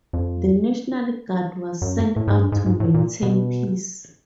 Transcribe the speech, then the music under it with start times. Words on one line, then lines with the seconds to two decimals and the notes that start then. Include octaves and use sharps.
The National Guard was sent out to maintain "peace".
0.13 F2
1.82 F#2
2.16 A2
2.27 G#2
2.38 G2
2.52 G#2
2.66 G#2
2.80 A2
2.94 A#2
3.23 B2